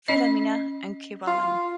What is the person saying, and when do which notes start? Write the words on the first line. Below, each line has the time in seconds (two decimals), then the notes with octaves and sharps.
Filomena, and Kiwalan.
0.08 C#4 D#5
1.27 F4